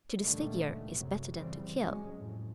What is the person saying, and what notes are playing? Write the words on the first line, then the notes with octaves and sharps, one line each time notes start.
To disfigure is better than to kill.
C#2 A#2 D3 D#3 G3 A3
F#2 C3 F#3
C#3 E3 G3 C4
F#3 G#3 C#4
F2 A2